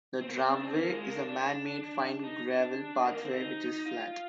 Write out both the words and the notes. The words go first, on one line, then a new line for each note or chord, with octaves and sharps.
The Dramway is a man-made fine gravel pathway which is flat.
C4
A#3
C4
D4
C4
A#3
G#3
A#3
D4
D4
D#4
D4
A#3
A#3
C4
D#4
F4